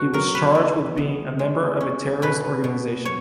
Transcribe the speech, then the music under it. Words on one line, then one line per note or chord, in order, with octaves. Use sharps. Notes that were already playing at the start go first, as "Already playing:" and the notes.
He was charged with being a member of a terrorist organisation.
Already playing: B2 F#4
F#3 A#4
B4
E2
B3
G#3
C#4
B2 B4
B2
C#5